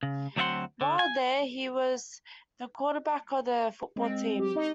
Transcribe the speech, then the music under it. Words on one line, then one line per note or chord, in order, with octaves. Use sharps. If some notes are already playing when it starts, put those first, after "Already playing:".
While there, he was the quarterback of the football team.
C#3
D2 F#3 C4 E5 F#5 C6
D3
G#5
G#3 C4
G4
D#4 D#5